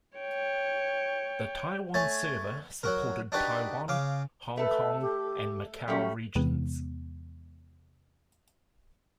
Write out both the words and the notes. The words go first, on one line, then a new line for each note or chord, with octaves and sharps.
The Taiwan server supported Taiwan, Hong Kong and Macau regions.
C#5 G5
A3 C#5 G#5 A5
F#3 F#4 A#4
D4 D#4 F#4 G4 B4 D5
C#3 F5 D6
A3 A4 B4
G4
F#3 G3 A3 C#4
E2 C3 E3 G#3 B3